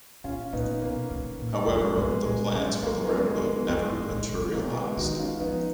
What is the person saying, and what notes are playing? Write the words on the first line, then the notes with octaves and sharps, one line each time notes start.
However, the plans for the railroad never materialized.
A#2 C#4 F4
A#2 B3 D#4
B2 A#3 C#4
C#3
A#2
F#2
G#3
A#3
G#2 G#3 B3
A#2 G#3
G#2 G#3
F#2 A#3
G#3 B3
F#2
G#3 B3
F2
F#2 G#3
G#2
A#2
C#3
B2 A#3
G#3 B3
D#3 D#4 F#4
C#4 F4
F3 B3 D#4